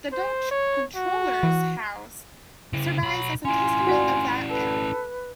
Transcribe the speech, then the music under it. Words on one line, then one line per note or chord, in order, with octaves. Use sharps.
The Dutch "controleur"s house survives as a testament of that era.
C5
C#5
F#4
E3
C#3 E4
B1 F#3 B5
C#4 E4 F4 G#5
F#4 D5
A4 B4